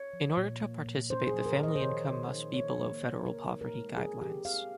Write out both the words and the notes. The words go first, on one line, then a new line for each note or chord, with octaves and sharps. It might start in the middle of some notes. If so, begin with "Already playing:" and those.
In order to participate the family income must be below federal poverty guidelines.
Already playing: C#5
F3
A#2
A#3
A#2
C#4 C5
G#4
F3
A#4
A#2
D#5
C5
D#3 C#5
D#3
D#4
A#3 C#5
A#3
D#3
C#3 A#4
D#4
A#4
G#3
C4 G#4
C4 G4
C4 F5